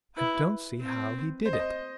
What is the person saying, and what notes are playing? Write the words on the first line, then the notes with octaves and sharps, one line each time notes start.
"I don't see how he did it."
E4 B4
C4
C5
D#5
C5